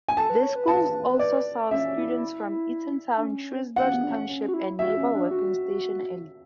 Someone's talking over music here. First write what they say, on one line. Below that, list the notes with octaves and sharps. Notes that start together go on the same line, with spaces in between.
The school also serves students from Eatontown, Shrewsbury Township and Naval Weapons Station Earle.
G#5
A4 A5
B4
C#5
B4
A5
D5
C#4 E5
C#4
E4
E4
D4
C#4
F#5
C#4
B3
D4
C#4
C#4
F#4
E4
F#4 E5
C#4
D4
F#4